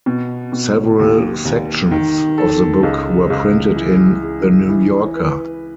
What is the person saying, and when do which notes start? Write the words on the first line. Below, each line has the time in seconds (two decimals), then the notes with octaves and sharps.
Several sections of the book were printed in "The New Yorker".
0.06 B2
0.52 B2
0.99 D#2
1.45 D#2
1.91 D#3
2.38 A4
2.83 C#2
3.30 C#2
3.76 E3
4.22 G#4
4.69 E3
5.15 B4